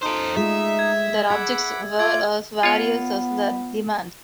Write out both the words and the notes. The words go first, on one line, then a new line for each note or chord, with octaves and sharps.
Their objects were as various as their demands.
D#4 A4 C5
G#3 A3 F4 E5
G#6
G#4 F#5 B5 D6 E6 G#6
A3 F4 D6 G#6
B3 F4 C#5